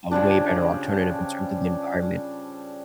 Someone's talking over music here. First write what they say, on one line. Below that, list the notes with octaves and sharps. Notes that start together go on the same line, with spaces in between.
a way better alternative in terms of the environment
C#3 F3 G3 D4